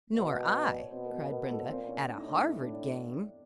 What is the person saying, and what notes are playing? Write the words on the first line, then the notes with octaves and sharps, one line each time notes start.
"Nor I!" cried Brenda, "at a Harvard game!"
B2 A#3 A#4
D5
C#5
B2 C4 C5
A#4
B3 B4
B2 A#3 A#4
A3 A4
A#2 C4 C5
C#4 C#5
A2 D4 D5
D#4 D#5
D4 D5
D#4 D#5
E4 E5
D4 D5
D4 D5